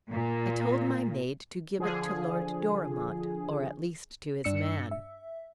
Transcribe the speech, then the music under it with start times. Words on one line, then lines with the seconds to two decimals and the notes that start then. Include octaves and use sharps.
I told my maid to give it to Lord Dorimont--or at least to his man.'
0.12 A#2
1.79 D3 F3 G#4
4.44 G2 D4 E6 C#7
4.91 E5